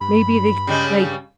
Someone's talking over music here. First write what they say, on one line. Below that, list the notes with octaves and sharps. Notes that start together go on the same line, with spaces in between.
maybe they c like,
G2 B5
C#3 G3 G#3